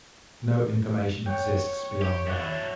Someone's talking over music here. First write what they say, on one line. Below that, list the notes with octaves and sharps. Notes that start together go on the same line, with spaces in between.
No information exists beyond then.
C#5 F#5 G5
G4
F#3 D4 D5 F#5
E4